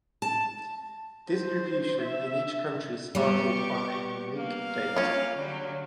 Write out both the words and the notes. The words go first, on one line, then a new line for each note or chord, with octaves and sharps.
Distribution in each country started on a unique date.
A5
C5
E5
G3 B3 G4 C#6
A#3 F5
C#4 F4
D3 F#3 G3